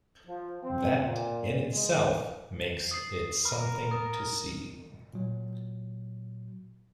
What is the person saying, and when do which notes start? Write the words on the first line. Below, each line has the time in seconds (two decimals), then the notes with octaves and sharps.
That, in itself, makes it something to see.
0.27 F3
0.63 C4
1.04 A#2
1.69 G#3
2.91 D#6 C7
3.45 A#4 B5
3.91 D#6
5.14 A#2 F#3